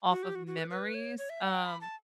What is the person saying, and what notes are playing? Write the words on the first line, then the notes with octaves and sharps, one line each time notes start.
off of memories, um,
F#4
G4
F#4
F#4
B4
B4
C#5
C#5
E5
F#5
G5
B5
A5